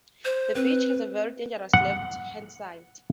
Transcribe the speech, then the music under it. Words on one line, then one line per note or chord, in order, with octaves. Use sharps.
The beach has a very dangerous left hand side.
C5
C4 B4
F#5